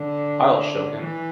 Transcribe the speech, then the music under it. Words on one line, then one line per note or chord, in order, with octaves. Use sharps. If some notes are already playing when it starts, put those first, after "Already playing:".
I’ll show him.
Already playing: D3
E3